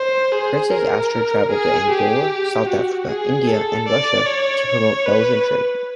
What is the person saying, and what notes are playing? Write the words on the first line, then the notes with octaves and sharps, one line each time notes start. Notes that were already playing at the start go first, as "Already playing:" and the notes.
Princess Astrid travelled to Angola, South Africa, India and Russia to promote Belgian trade.
Already playing: C5
G#4
A#4
G#4
G4
F#4
G#4
A4
D5
C#5
B4